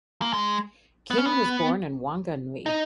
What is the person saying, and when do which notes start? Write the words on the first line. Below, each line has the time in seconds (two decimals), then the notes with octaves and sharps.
King was born in Whanganui.
0.22 A#3
0.33 G#3
1.11 B3
1.18 C#4
1.26 B3
2.66 D#4